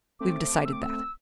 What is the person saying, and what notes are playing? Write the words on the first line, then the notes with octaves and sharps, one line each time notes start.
We've decided that.
A3 C4 D6
E6
D6
E6